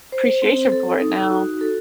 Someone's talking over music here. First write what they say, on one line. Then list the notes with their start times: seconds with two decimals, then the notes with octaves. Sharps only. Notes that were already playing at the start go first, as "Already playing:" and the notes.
appreciation for it now.
0.12 C5
0.42 C4
0.72 A4
1.01 D#4
1.31 F#4
1.61 A4